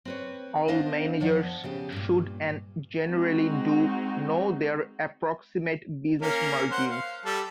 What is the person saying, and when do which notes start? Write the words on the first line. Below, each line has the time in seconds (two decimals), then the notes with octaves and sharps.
All managers should, and generally do, know their approximate business margins.
0.05 C4 B4 C#5
0.68 B3 D4 C5 D#5 F5
1.20 F2 F3 D5 F#5
1.64 C#3 B3 G4
1.92 G2 A#2
3.04 G#3 C4 D#4 F#4
6.22 A#3 C#4 A#4
6.71 C5 F#5
6.90 F5
7.25 G3 A4